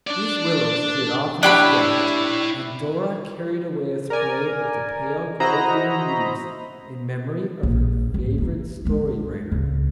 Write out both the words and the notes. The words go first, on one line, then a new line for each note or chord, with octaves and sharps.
These willows she had often sketched, and Dora carried away a spray of the pale gray-green leaves, in memory of her favourite story-writer.
D4 D5
D4 E4 G4 C#5 B5
A#4 D5 G#5
E4 F#4 C5 D#5 A#5 B5
A#1
G#1
D4 D#4
G#3 D4
C#2